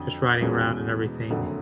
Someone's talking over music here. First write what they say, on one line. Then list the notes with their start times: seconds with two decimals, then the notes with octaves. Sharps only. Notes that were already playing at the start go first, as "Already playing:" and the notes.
just riding around and everything.
Already playing: F2 D3 F#3
0.41 E2 B2 G#3 C#4
1.30 F#1 F2 D3 F#3